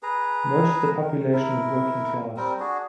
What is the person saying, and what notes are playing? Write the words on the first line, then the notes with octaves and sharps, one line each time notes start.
Most of the population is working class.
G#4 B4 A#5
A#4
E4 A#4
G3 C4 A#4
D4 F#4 G#4